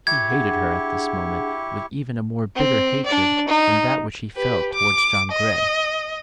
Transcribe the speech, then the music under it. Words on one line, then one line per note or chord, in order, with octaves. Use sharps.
He hated her at this moment with even a more bitter hatred than that which he felt towards John Grey.
E4 G4 C#6 G#6
D4 G#4 F#5
C4
D4 D5
D#4
G4 B4
D6
D#5